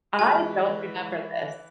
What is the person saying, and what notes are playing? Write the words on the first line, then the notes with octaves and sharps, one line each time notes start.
I don't remember this
E3 G#3 F#4 G#5 B5